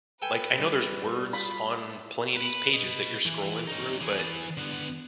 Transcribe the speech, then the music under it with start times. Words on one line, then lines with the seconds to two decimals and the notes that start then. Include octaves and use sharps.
like, I know there's words on plenty of these pages that you're scrolling through, but
0.22 A4 B4 G5 G#5
0.60 G3
1.33 F4 B5
2.36 B4
2.74 B4 D#5
3.26 E3
3.67 C#4 D#4
4.01 E3 G#4
4.57 D3 B3